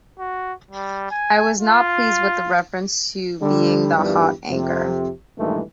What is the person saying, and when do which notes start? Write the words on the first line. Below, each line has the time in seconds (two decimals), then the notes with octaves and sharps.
I was not pleased with the reference to being the 'hot anchor'.
0.19 F#4
0.71 G3
1.11 G#5
1.58 F4
3.42 D3 G3
3.96 E2 G2 D#3 F3 G3
4.49 F2 C3
5.38 G2 A#2 D#3 E3 G#3 A3